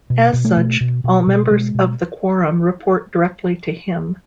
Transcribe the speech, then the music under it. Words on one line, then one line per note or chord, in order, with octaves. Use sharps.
As such, all members of the Quorum report directly to him.
B2
B2
A3
B2
B2
B2
B2
B2 G#3
B2